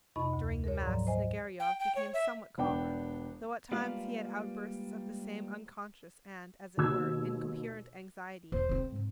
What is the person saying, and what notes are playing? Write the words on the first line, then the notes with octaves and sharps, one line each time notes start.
During the mass Snegiryov became somewhat calmer, though at times he had outbursts of the same unconscious and, as it were, incoherent anxiety.
F2 C3 D#4 D#5 B5 C#6
D2
A#4 C#5
G#2 F3 F#3 D5 A#5
C5 D#5 G#5
G5
G5
C#5
E5
E1 B3 D4 G5 D6
G3 G#3 A#3 F4 B4 F5
D#2 B2 E6 G#6
E2 C5
C#3 C4
G#2